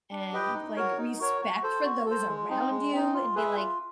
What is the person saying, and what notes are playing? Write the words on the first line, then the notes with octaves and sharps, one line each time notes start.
and, like, respect for those around you and be, like,
D4
G4 B4 D#5 G5
D#4
F#4 A#4 C#5
D#4
F#4 A#4 C#5
F#4
A4 C5
F#4
A4 C5
G#3
C4 D#4
G#3
C4 D#4
F4
G#4 B4 E5
F4